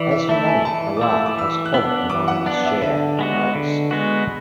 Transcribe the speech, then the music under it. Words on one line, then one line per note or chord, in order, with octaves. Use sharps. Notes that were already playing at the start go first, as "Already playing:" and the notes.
"As for money, Iraq has hogged the lion's share," he writes.
Already playing: E3 D5
E5
A3 E4 E5
G#5
E3 A5
D6
A3 E4 E6
D6
E3 E6
F#6
B3 D4 E6
E3 D6
F#5
B3 D4 D5
E5
D3 E5
G#3 B3 F#4
D3
G#3 B3 F#4